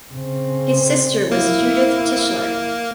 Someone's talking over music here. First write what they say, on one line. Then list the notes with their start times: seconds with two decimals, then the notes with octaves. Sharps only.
His sister was Judith Tischler.
0.13 C#3 C4
1.32 A#3 E4